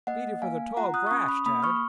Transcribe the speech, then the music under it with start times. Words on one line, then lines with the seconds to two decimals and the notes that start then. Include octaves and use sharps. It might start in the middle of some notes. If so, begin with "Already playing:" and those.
"Beat it for the tall grass, Tad!"
0.07 A#3 D#5 F#5
0.42 A#3 F5 G#5
0.77 F4 F#5 A#5
0.94 D#6 F#6
1.07 C#6
1.11 C#4 B5 D#6
1.28 B5 D#6
1.46 A#3 B5 D#6
1.63 C#6 F6